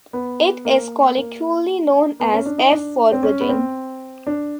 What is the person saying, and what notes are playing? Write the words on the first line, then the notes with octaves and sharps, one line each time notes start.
It is colloquially known as 'f-forwarding'.
B3
A#3
A#3
B3
C#4
D4
D#4
D4
C4
C#4
B3
C4
D4